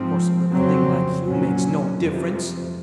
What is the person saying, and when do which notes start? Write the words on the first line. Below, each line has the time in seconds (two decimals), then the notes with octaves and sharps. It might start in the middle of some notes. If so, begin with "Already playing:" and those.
"Of course a little thing like Hugh makes no difference!"
Already playing: G#2 F3 C4
0.51 F2 C#3 F#3 C4
1.24 A#2 F#3 C#4
1.98 F2 C3 F3